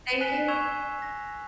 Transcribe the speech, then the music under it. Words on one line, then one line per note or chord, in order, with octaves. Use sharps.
thank you
G#5 F#6 B6 C7 D#7 G7
C#6 E6 G#6 E7 F7
A#6